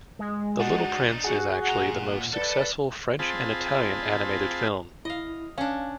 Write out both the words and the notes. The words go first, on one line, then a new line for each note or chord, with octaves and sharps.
"The Little Prince" is actually the most successful French and Italian animated film.
G#3
D4 D#4 F#4
F#4 G#4 F#5
A#2 A#5
A4 B4 D5
C4 F4 G#4 A5 B5
E4 D#5 F5
C#4 D4 F5